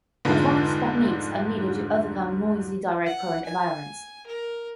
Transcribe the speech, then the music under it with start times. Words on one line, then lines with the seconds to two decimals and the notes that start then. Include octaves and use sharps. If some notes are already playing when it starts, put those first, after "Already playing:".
Advanced techniques are needed to overcome noisy direct current environments.
0.25 F1 G#2 D3 F4 G#4 A5
3.06 F#5
3.46 G#5
4.26 A#4